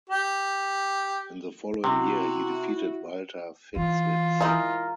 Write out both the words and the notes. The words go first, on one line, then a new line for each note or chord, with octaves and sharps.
In the following year he defeated Walter Fitzwiz.
G4
C3 E4 F#4
E3 F4
G#3 D#4 E4 A#4